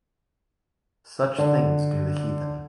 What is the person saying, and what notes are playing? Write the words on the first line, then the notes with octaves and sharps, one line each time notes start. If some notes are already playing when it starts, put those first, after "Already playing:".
Such things do the heathen.
D3